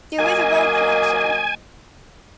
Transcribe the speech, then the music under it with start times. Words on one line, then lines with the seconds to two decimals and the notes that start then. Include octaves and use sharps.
There is a road connection.
0.18 F#3 A#3 D#5 G#5